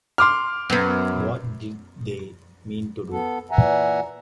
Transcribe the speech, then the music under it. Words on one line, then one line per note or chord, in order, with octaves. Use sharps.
What did they mean to do?
C6 D6 F6
F#2 B3
B3 A4
A#2 E3 E5 F#5 G#5 A#5